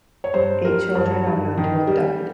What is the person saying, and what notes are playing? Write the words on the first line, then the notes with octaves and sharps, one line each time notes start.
Eight children are known to have died.
C#5
G2 C5
G3 A#4
G2
G2
D#3
G3